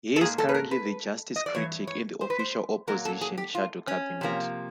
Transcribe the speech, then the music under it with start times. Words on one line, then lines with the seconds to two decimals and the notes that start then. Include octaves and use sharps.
He is currently the Justice Critic in the Official Opposition shadow cabinet.
0.16 A4
0.21 G#2 F3 A#3 G#4
0.38 A4
0.49 B4
0.54 A#4
0.71 B4
1.36 D#5
1.46 D5
1.55 G2 E3 C#5
1.87 C#5
2.21 C5
2.30 B4
2.39 C5
2.88 A#2 F#3 A#3 A#4
3.05 A4
3.21 G#4
3.38 G4
3.55 F4
3.88 C#4
4.21 C3 F3 A#3